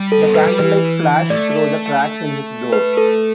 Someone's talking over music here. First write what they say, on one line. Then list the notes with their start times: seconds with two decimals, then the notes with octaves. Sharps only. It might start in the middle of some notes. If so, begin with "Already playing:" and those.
The candlelight flashed through the cracks in his door.
Already playing: G3
0.12 A4
0.23 B3
0.34 A3 B4
0.47 G3
0.58 E3 B4
1.30 A3 D5
2.73 B4
2.97 A4